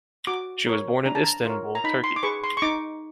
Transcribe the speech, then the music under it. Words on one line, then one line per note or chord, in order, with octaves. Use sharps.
She was born in Istanbul, Turkey.
F#4 D6
A#4 C#5
D4 A#5
A5
A#5
F4 A#4 C#5
A#5
D#4 B5
C6
D6
G#4 B4 C#6
C6
C#6
D#4 D6